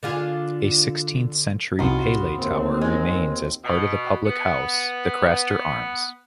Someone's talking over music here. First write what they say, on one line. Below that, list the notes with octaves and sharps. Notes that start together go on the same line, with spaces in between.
A sixteenth-century pele tower remains as part of the public house, "The Craster Arms".
D3 F4 G#4
C2 C#3 B3 D#4 F4 F#4
D#2 C4
G#3
B2
B3